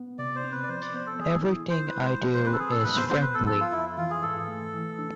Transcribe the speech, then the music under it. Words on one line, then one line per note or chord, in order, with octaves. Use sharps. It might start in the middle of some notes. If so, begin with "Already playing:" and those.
Everything I do is friendly.
Already playing: B3
C3 D5
C5
C4
B4
D5
F3 C5
D5
B3 C5
A4
E3 G#4
E4
C2 C5
B4
G#3
C5
F3
C5
C4 B4
A4
G#4
A2 A4
B4
B3 C5
C5
E2 B4
A4
F3 A4
F4
F2 E4
E3 F4
G#4
G#2 A4
A3
E3
D4